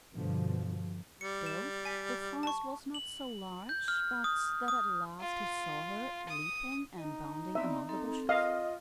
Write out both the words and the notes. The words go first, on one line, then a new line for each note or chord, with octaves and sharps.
Still, the forest was not so large, but that at last he saw her, leaping and bounding among the bushes.
G2 B2 D3 F3
G3 C#7
E7
G#5 B6
A5 C#6
F#7
G6
F6
D#6
D#6
F4
D#6
D#4 D#5
B3 C4 D5 E5
C4 A4
F4 D#5 F5